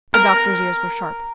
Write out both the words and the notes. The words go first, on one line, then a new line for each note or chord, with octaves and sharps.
The Doctor's ears were sharp.
A#4